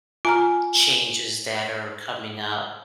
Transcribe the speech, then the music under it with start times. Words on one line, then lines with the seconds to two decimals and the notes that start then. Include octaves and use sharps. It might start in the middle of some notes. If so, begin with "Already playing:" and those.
changes that are coming up
0.25 F4 G#5 A#5 F6